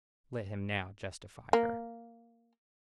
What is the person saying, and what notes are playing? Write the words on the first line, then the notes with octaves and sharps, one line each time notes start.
Let him now justify her.
A#3